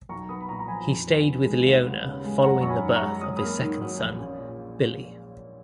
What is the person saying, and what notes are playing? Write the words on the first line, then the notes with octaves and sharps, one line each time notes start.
He stayed with Leona following the birth of his second son, Billy.
B1 A#5 C#6
B3 B5 D#6
B5
A#2 A#5 C#6
A#5
F3 G#5 B5
F2
B3
D#3
G#3
D#2
B3
C#3
G#3
F#2 F#5 A#5
F#2 C#6
G#5 B5
D#3
A#5 C#6
G#3
F#2 D#6
A#3 B5 D#6
D#3
F#3
A#1
C#4
A#2